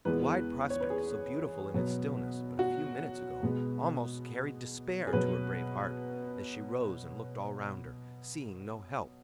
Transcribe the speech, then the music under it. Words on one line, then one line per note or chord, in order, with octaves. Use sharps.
The wide prospect, so beautiful in its stillness but a few minutes ago, almost carried despair to her brave heart, as she rose and looked all round her, seeing no help.
E2 E3 G#3 B3 B4
C#5
B4
G#4
B2 F#3 B3
F#4
B2 G#3 B3
G#4
B2 F#3 B4